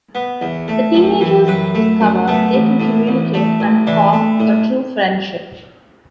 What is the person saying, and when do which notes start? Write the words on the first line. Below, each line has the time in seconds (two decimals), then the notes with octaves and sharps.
The teenagers discover they can communicate and form a true friendship.
0.15 B3
0.41 E2
0.68 A3
0.95 F#2
1.20 E3
1.47 F#2 B4
1.75 A3
2.01 F#2
2.28 A3 B3
2.54 A1
2.80 A2
3.07 A1
3.34 A3
3.60 A1
3.87 E3 D4
4.13 A3
4.40 A2